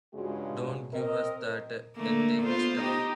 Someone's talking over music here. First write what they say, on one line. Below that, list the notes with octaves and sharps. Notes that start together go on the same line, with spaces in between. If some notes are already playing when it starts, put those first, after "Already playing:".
Don't give us that ethics stuff.
G2 C#3 G#3 F4 F#4
C4 A#4 D#5
D3 A3 A#3
B3 F4 C5
D#4 G4